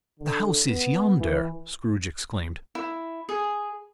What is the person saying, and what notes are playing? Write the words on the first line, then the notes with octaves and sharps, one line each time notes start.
"The house is yonder," Scrooge exclaimed.
D3
B3
E3
E4
G#4